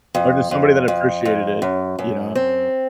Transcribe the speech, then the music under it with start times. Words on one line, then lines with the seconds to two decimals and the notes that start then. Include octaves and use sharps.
Or just somebody that appreciated it, you know?
0.15 F2
0.51 F2
0.88 F2
1.25 F2
1.62 F#2
1.99 F#2
2.35 C4